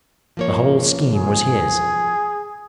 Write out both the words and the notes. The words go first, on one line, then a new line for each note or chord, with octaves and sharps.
The whole scheme was his.
F3 A#3 C#5
G#4